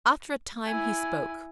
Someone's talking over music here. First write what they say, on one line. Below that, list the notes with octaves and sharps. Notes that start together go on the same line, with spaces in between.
After a time he spoke.
E4 G#5